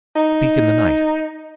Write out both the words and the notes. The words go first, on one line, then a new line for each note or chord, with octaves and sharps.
Speak in the night.
D#4